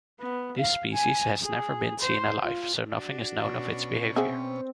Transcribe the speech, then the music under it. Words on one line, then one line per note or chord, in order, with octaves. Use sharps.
This species has never been seen alive, so nothing is known of its behavior.
B3
F5
G#5
G#4
C5
F4
D4 F#4
B2 C#4
B3 C4 G#4 E5